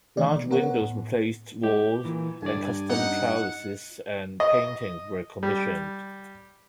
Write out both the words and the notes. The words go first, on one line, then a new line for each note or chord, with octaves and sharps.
Large windows replaced walls, and custom trellises and paintings were commissioned.
B2 D#3 E3 A3 D5
B2
B3 A#4 C#5 F#5
A2
G#3 G4
A#2 E3
G2 D3 C#5 D5 G#5
B3 C#4 D#4 F#5
D#5
G3